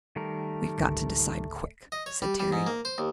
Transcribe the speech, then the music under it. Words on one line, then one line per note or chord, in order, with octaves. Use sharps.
"We've got to decide quick," said Terry.
D#3 G3 A3 A#4
G#1 C#2 D3
D#5
C#5
G3
G3
G#2
A#3
C5
D#2